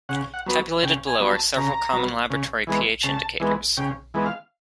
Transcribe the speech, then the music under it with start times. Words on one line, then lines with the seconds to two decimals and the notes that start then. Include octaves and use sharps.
Tabulated below are several common laboratory pH indicators.
0.09 C#3 F#5
0.34 F#5
0.46 F#3 B3
0.83 C#3 G5
1.07 G#5
1.20 F#3 B3
1.32 A5
1.57 C#3 A#5
1.93 F#3 B3
2.30 C#3
2.67 E3 G#3 B3
3.03 C#3 A5
3.40 E3 G#3 B3
3.77 C#3 G5
4.14 E3 G#3 B3
4.26 F5